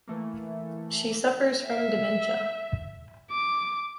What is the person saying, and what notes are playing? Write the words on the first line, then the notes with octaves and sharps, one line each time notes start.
She suffers from dementia.
E3 A3 A#3
E5
D6